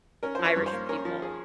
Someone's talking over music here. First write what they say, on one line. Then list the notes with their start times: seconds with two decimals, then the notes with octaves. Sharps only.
Irish people.
0.23 C#4 A#4
0.35 F3 C5
0.45 C#5
0.56 G2
0.66 C5
0.73 A#3
0.89 C#4 A#4
1.05 F3
1.22 G#4